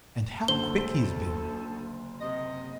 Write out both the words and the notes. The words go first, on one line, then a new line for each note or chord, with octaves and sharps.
And how quick he's been!
F#1 D2 D3 A4 C5 G7
C3 D#5